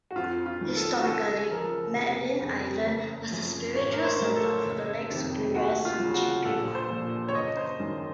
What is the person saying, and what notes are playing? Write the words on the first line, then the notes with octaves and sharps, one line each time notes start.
Historically, Madeline Island was a spiritual center for the Lake Superior Chippewa.
F#4
F2 F4
F4
D#3 F#3
A4
F#4
C#2 A4
C#3 F3 A#4
F1
F2 C#3
F#1
F#2 F3
A1 C#5
A#4
C5
A2 F#3 A#4
A4
F#1
F2 C3 D#3
D#2 F#4
F4
C#3 F#3
F#4
A#1 A4
C5
A#2 F3
C#5
F#1 D#5
C5
F#2 D#3 F#3